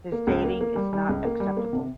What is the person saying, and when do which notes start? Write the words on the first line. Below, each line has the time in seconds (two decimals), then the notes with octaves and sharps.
His dating is not acceptable.
0.12 A#3
0.27 C#2
0.44 A#3
0.61 A#3
0.76 G3
0.93 G3
1.09 C#2
1.25 A#3
1.40 G3
1.57 A#3
1.73 C3